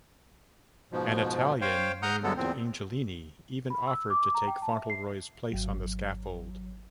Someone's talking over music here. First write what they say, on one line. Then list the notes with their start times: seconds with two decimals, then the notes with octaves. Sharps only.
An Italian named Angelini even offered to take Fauntleroy's place on the scaffold.
0.92 G#2 B2 F3
1.61 C5 C#5 F5 G5
2.02 F#5 A#5 D#6 F6 G6
2.23 G2 D3 F#3 G#3 B3 A4
2.36 E2 A#2 C4
3.70 B5
3.87 E6
4.10 D6
4.34 A#5
4.47 G5
4.62 A5
4.75 E5
4.90 C7
5.52 G#1 F#3